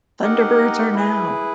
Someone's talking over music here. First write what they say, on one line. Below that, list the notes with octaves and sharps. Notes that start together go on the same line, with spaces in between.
Thunderbirds Are Now!
D#4 G4 A#4 D#5 F#5
E4 G#4 B4